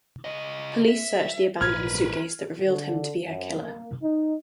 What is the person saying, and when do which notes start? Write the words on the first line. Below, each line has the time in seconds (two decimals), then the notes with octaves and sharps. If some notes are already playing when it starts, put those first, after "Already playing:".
Police searched the abandoned suitcase that revealed him to be her killer.
0.25 C#3 D#5
0.88 E5
1.61 A#1 G#2 B2 A#4 B4 F6 G#6
2.66 D3
3.27 F#2
3.63 A#3
4.03 D#4